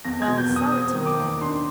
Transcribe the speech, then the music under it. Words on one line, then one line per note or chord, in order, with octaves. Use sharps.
"Well, sell it to me, then."
E2 A#6
G#6
B2
G6
E2
D#6
C4 D#6
D#3
D6
D#2
D4 C6